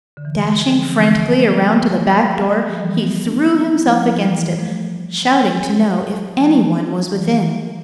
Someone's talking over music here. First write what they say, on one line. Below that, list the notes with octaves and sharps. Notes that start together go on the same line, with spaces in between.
Dashing frantically around to the back door, he threw himself against it, shouting to know if any one was within.
D3
E3
D3 F3
E3
D3 F3
F3 A3
B3
F3 A3
F3
E3 G3
G3 B3
B3 D4
C4 E4
F3 A3
E3 G3
F3 A3
F3 A3
E3 G3